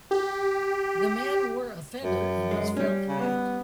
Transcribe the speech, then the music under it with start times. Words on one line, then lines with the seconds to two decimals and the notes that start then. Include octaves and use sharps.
The man wore a feather in his felt hat.
0.11 G4
2.03 F#2
2.51 G#3
2.77 G3 C#4
3.08 C#3
3.20 B3